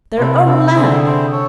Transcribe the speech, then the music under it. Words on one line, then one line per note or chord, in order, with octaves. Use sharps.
Their own Lamb!
C3 C4 E4 A4
C4 E4 A4
D3 C4 E4 G#4 C5
C4 E4 G#4 C5
A4 C#5